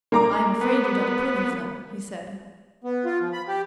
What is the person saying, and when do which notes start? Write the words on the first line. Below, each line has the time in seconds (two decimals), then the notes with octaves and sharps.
"I am afraid you don't approve of them," he said.
0.12 A#3 A#5 D6
0.61 B3
2.84 B3
3.05 F4
3.21 F3
3.33 B5
3.48 G4